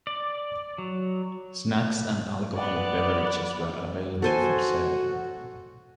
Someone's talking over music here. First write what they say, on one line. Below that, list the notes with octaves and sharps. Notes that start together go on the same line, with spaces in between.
Snacks and alcoholic beverages were available for sale.
D5
F#3
B3 D5
F#4 A4 C5 G#5